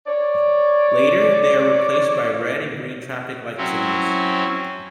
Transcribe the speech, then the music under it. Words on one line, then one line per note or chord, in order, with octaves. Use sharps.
Later they are replaced by red and green traffic-light signals.
C#5 D5
F#3 C4 C#4 E4